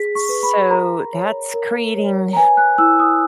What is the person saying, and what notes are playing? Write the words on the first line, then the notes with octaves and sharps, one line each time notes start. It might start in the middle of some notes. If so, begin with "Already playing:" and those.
So, that's creating
Already playing: G#4 B6
C#6
B4
B5
A#4 A#5
C#5
A#4
C#5
A#5
B4 G#5
F#6
E4 E6
D#6